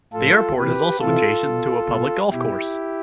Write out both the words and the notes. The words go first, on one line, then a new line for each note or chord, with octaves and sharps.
The airport is also adjacent to a public golf course.
A2 F3 F4 A4
C3 E3 G4 B4
C3 E3 F4 A4
B2
B2
B2 E4 G4